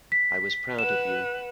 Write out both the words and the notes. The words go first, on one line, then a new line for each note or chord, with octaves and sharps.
I was proud of you.
B6
B4 F#5 E7